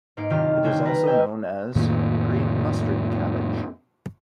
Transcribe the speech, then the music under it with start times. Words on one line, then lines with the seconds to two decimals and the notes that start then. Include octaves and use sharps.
It is also known as "green mustard cabbage".
0.17 G#2 A#3 D#4 G#4 D7
0.30 F#1 C3 D#3 F4 G4 F6
0.64 C2 C#3 G#3 A3 G5 G#6
0.85 G3 B4 A#5
1.06 D#5 G5 G#5 D#6 E6
1.75 F2 A2 D#3 A#3